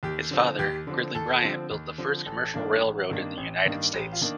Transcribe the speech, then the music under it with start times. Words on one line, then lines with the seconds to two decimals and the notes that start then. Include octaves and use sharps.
His father, Gridley Bryant built the first commercial railroad in the United States.
0.03 D#2 G4
0.31 D3 F3 C4
0.59 D#2 G4
0.87 D3 F3 C4
1.15 D#2 A4
1.42 D3 F3 C4
1.71 D#2
1.98 D3 F3 C4
2.26 A1 A4
2.54 G2 D#3 A#3 D4
2.81 A1
3.09 G2 D#3 A#3 D4
3.37 A1
3.65 G2 D#3 A#3 D4
3.93 A1 G4
4.12 F4
4.21 D#3 A#3 D4